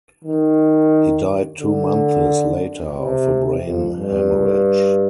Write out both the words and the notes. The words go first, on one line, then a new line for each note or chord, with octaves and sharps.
He died two months later of a brain hemorrhage.
D#3
D3
C3
F2
G2